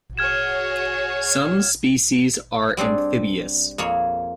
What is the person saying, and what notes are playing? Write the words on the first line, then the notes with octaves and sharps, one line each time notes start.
Some species are amphibious.
F#4 G#4 C#5 F6 G#6 E7
G3 C4 D4 G#4
F2 A#3 G#4 C#5